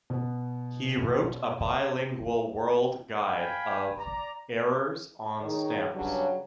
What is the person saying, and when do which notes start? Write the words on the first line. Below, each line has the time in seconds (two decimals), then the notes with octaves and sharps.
He wrote a bilingual world guide of "Errors on stamps".
0.10 B2 B3
3.26 F5 G5 G#5 B5
3.97 D5 A#5
5.42 D#3 D#4 G#4 C#5
5.94 G2 C#3 F#3 G3 D4